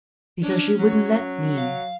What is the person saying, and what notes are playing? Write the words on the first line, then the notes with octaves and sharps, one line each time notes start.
"Because she wouldn't let me."
C#4 D4
F#3
F5